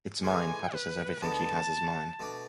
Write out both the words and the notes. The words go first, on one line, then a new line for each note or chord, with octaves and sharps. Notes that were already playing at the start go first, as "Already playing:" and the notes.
It’s mine: papa says everything she has is mine.
A2 E3 G#3 G#5
B4
D2 D3 G#3 B3 A5
B2 A3 D4